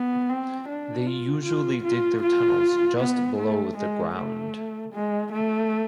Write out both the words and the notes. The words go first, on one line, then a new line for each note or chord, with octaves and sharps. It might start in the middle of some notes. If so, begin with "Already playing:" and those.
They usually dig their tunnels just below the ground.
Already playing: B3
C4
D4
F4
F4
F4
F4
B3
A3
G#3
A3
G#3
A3